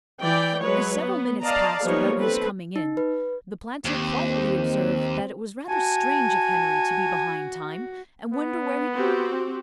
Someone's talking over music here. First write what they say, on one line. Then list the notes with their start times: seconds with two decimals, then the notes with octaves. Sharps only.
As several minutes passed without his coming in, the planter quietly observed that it was rather strange of Henry to be behind time, and wonder where he could be.
0.21 E3 D5 G5
0.61 F#3 G#3 B4 C#5
0.99 B3
1.43 D5 D#5 F5 A5 A#5
1.83 F3 G3 A#3 B3 D#4 C#5
2.19 C4 A4 B4
2.76 D#4
2.97 B4
3.85 D#2 C4
5.69 F#4 G#5 A5
8.33 B3
8.94 C4 F#4 G4